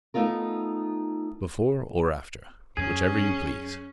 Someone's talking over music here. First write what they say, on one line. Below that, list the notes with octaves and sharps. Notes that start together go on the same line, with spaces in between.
"Before or after, whichever you please."
A3 B3 D#4 F4 A#4
F#2 C#4 G#4 G#6